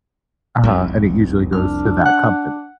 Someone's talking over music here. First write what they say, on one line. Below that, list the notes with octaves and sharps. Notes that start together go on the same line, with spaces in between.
Uh-huh. And it usually goes to that company.
F1 C2
D4 F6
F#5 F#6